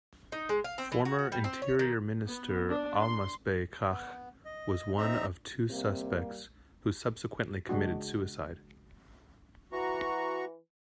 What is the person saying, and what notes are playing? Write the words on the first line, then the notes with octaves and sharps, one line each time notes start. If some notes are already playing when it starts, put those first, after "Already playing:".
Former Interior Minister Almasbei Kchach was one of two suspects who subsequently committed suicide.
D#4
G#3
F5
C4
E3
F#4
F#4
G3
C4
C#5
D#3
B3
D4
C6
B3
D#5
C4 D#4 E5 A#5
C3 G3 A#3
C#3 G#3 D4 F#4
E3 F#4 A#5 C#6